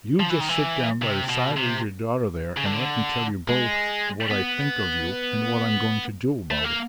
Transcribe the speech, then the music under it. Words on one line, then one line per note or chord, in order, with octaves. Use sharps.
"You just sit down by the side of your daughter there and let me tell you both what I think of you and what I'm going to do about it."
F3
E3
D#3
E3
C3
B2
C3
C#3
D3
G#3
B3
A3
A#3